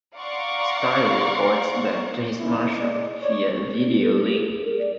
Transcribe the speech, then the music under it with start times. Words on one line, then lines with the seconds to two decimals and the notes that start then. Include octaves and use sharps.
Styre reports back to his Marshal via a video link.
0.17 D5 F5 F#5 A#5 C6 C#6
2.39 E2 C#3 F3 C#4 D#4 E4
2.73 G#3 D5 D#5
3.21 C#5 D5
3.87 E4
4.01 A4
4.16 G4
4.35 G#4
4.50 G#4
4.65 A#4
4.79 D5